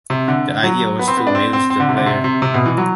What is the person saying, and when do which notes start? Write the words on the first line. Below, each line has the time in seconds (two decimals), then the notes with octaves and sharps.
The idea was to amuse the player.
0.10 C3
0.28 D3
0.64 F#3
0.99 B3
1.08 C4
1.17 B3
1.27 D4
1.35 C4
1.53 C4
1.70 C4
1.80 D3
1.89 C3
1.97 D3
2.06 C3
2.24 C3
2.42 C3
2.54 B2
2.66 E3
2.78 F#3